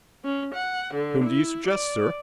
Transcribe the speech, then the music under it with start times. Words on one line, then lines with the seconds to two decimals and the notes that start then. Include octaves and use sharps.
"Whom do you suggest, sir?"
0.25 C#4
0.54 F#5
0.95 D3
1.25 E4
1.68 D5